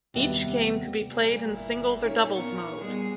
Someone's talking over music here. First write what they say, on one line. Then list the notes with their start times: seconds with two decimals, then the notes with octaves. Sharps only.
Each game could be played in singles or doubles mode.
0.14 D#2 C3 G3 B3 E5
1.11 A#2 G3
1.51 G1 E4
2.03 C#4 D#4 C#5
2.36 B3 A#4 C#6
2.80 G3 G#3 B3 G#4